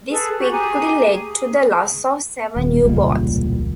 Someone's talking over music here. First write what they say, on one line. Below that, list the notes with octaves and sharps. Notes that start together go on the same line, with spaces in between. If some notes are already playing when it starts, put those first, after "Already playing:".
This quickly led to the loss of seven U-boats.
G#4 A4 B4
F#4 G4
G4 G#4 G#5 A#5
G#4
D#1
E1 C#2 A#2 G3